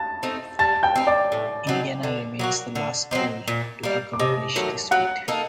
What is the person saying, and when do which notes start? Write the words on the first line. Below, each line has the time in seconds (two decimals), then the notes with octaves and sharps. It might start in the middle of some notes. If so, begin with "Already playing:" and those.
Indiana remains the last school to accomplish this feat.
Already playing: A5 A6
0.23 A3 C4 D#4
0.59 G3 A5 A6
0.83 G5 G6
0.96 C4 D#4
1.07 D5 D6
1.32 A2
1.67 F#3 C4 D#4
2.03 D3
2.39 F#3 A#3 F#4
2.75 D3
3.11 F#3 C4 D#4
3.48 A#2
3.83 G3 A#3
4.13 D6
4.20 C3 D#5 D#6
4.56 D#3 F#3 A3
4.91 F#3 F#5 F#6
5.28 A#3 D#4 A4